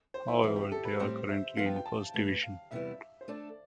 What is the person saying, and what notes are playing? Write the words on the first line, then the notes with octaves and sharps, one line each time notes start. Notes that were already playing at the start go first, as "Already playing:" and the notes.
However, they are currently in First Division.
C5
E4
F2 E3 G3 E4
G4
A4
B4
A2 G3 C4 G4 C5
E5
F3 B3 F4 A4 F5
G5
G5
A5
A2 E3 A3
F5
E2 C3 G3 B3 E4 E5
C5
A3 D4 A4 D5